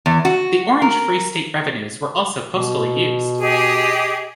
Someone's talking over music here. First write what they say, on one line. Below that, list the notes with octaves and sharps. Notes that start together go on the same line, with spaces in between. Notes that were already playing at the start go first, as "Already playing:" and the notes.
The Orange Free State revenues were also postally used.
E2
F#4
A#4
B2
G4 G#4 D#5